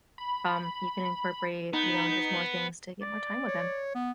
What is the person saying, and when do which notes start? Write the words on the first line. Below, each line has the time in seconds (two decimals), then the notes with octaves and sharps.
um, you can incorporate, you know, just more things to get more time with them.
0.18 B5
1.73 B3 D#4
3.02 D5
3.48 C#5
3.95 B3